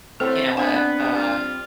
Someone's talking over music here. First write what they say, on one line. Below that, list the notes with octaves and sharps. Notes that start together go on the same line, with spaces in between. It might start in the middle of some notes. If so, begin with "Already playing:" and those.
you know, a a
E3 F#3 A3 C4 A4
B3 D4 C5 G#5
G3 F4